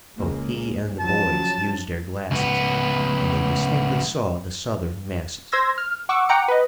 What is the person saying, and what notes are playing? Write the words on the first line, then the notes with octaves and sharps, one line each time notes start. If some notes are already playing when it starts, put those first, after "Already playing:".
Both he and the boys used their glasses and they distinctly saw the Southern masses.
C#2 G#3 A#3
C#3 F3 F#3 A5
C#2 B3
C5 C6 E6 G#6 A#6
F6
F#5 C#6 D6 E6
F#5 G5 A#5 D6 C#7
B4 D#5